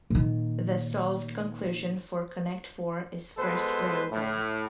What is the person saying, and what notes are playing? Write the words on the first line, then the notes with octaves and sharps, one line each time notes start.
The solved conclusion for Connect Four is first player win.
A#2 D#3
B2 G#3 A4 B4 C5
A2